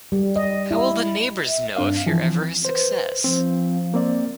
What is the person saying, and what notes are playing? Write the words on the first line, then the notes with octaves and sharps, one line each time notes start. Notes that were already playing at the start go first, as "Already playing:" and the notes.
How will the neighbors know if you're ever a success?
G3
D#5
E4
E5
G2 C4 D4 F5
E3 F3
B4 C5
F3 C4
A#3 C4 D5